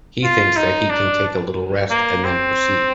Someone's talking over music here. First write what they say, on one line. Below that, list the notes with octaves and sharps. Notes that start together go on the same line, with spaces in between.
He thinks that he can take a little rest and then proceed.
F4
D#4
D4
A#3
C4